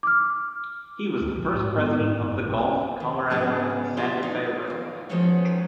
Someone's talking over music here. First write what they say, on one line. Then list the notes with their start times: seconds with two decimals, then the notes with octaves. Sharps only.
He was the first president of the Gulf, Colorado and Santa Fe Railway.
0.03 D6 F6
1.21 D2
1.36 A#1
1.55 G#2
1.78 B3
2.00 G#2
2.18 F#1
2.47 B1
2.64 C#4
3.00 D#2
3.30 G#2 C#3 F#3 B3 D4 G#4
3.97 B3 F4 G4 D5 E5
4.23 D#4
4.67 D#2 F5
5.09 F3 G#3 B3 C#4 D#4 F#4